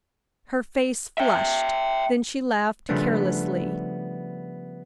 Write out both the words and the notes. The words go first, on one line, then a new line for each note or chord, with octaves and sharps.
Her face flushed, then she laughed carelessly.
E5 G5
C#3 F3 G3 A3 B3 D4